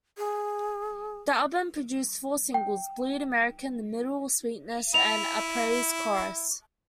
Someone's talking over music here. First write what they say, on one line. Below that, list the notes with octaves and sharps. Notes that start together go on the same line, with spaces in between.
The album produced four singles: "Bleed American", "The Middle", "Sweetness", and "A Praise Chorus".
G#4
G5
E4 F7